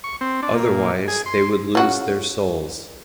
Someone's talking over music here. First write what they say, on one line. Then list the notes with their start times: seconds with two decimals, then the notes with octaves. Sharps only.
Otherwise they would lose their souls.
0.04 C#6
0.21 C4
0.43 D4
0.54 A#2
1.08 G#4
1.26 C6
1.75 C#3 F#4